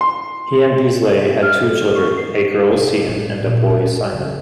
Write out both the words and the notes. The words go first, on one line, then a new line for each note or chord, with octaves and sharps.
He and Beazleigh had two children, a girl Sian and a boy Simon.
C6
E5
F6
A4
G4
C#6
C7
C3
A2 G3
A#2
G2 E4
C#3